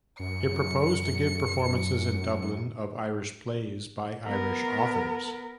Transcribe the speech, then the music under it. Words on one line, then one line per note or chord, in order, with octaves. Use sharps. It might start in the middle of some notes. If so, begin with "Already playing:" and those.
It proposed to give performances in Dublin of Irish plays by Irish authors.
F#2 C#7
B3 A#4